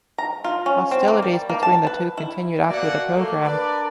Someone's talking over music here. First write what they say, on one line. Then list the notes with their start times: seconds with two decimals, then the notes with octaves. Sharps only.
Hostilities between the two continued after the program.
0.18 A#5
0.44 F4
0.66 C#4
0.91 C4
1.08 A#3
1.22 G3
1.50 A#3
1.63 A5
1.87 B4
2.18 E4
2.70 B2 A#3 F#4 D5 E5 F#5
3.15 A3 A#3
3.45 D4 A#4 B4 D5